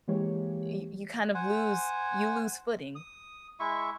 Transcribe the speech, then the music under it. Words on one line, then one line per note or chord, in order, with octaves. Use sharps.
y you kind of lose you lose footing.
E3 G#3 A#3 G4 C5 C#5
C5 F#5 G#5
D#6
G#3 E4 E5 C#6